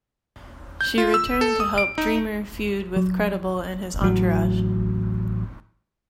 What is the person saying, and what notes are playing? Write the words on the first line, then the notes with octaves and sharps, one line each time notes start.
She returned to help Dreamer feud with Credible and his entourage.
G6
F4
E6
A4
D#6
D7
D#4
F#3
A1 F#3